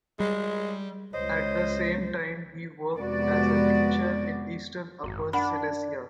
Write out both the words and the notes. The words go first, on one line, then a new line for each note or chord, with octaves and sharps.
At the same time, he worked as a teacher in eastern Upper Silesia.
G3 G#3
C#2 C5 C#5 D#5
F2 C3 G#3 B3 F#4 D5
G#1 F#2
D4 F#5 B5